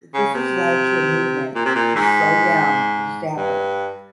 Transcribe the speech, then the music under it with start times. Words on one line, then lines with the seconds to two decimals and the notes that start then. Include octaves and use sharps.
This has led to a movement to slow down the zapper.
0.14 C#3
0.35 C3
1.55 A#2
1.65 C3
1.75 A#2
1.95 G#2
3.37 G2